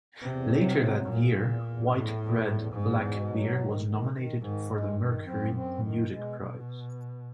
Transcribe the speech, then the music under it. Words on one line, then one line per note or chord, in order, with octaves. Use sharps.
Later that year, "White Bread, Black Beer" was nominated for the Mercury Music Prize.
E2 C3
F#3
F#3
E2 A#2
E2
E2
E2 A2
E2
E2
E2 G#2
B2
F#3
D#3
D#3
D#3
G#2 D#3
G#3
G2
D#3
F#2 C4
C4
D#3
B2 G#3